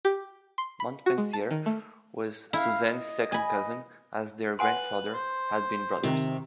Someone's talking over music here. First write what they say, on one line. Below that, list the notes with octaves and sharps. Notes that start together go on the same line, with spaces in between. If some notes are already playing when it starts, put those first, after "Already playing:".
Montpensier was Suzanne's second cousin as their grandfathers had been brothers.
G4
C6
B5
F#4
G#3
A5
D#3
A3
E4 F5
D#5
G#5 B5
B4 F#5 G#5 C6
C5
C3 D#3